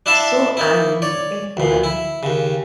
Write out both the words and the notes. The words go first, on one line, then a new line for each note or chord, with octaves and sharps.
So I will, at once.
D4 E4 E5 F5 A5
A#3 D#4 E4
C#5 D5
D2 A#2
E4
D#2 C#3